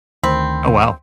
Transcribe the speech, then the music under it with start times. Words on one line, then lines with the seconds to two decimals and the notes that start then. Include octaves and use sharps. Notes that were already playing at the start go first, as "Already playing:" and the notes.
Oh, wow.
0.23 D2 D#3 C4 B5